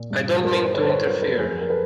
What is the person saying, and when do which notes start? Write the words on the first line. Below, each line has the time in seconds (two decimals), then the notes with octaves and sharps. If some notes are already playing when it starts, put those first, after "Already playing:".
I don't mean to interfere.
Already playing: A#2
0.10 G2
0.43 G2 A#4
0.55 B4
0.64 C5
0.74 D3 B4 C#5
0.84 C5
0.90 B4 C#5
1.06 F#3 A#4 C5
1.22 A4 B4
1.37 F2 G#4 A#4
1.61 A#4
1.70 A4 B4